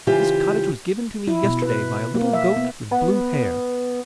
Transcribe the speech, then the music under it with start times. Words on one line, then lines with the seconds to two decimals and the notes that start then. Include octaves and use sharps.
"This cottage was given to me yesterday by a little Goat with blue hair."
0.07 C#3 E3 F4 G4 C5
1.27 E4
1.43 B2
1.62 B4
2.14 A#3
2.33 E5
2.56 B3
2.91 B3